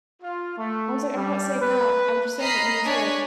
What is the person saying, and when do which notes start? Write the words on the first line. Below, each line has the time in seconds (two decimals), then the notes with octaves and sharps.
I was like, "I'm not saying that, I'm just saying that you need to like
0.22 F4
0.58 A3
1.16 G3
1.61 B4
2.41 D#5 A#5 B5 F6 C7
2.86 D4 C#5 G#5 C#6 B6